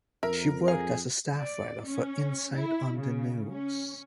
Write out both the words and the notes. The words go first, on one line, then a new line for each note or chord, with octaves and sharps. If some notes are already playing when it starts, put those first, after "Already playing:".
She worked as a staff writer for "Insight on the News".
F2 A#4 E5
G#4 F5
D5
C#4
E4
C#3
C#4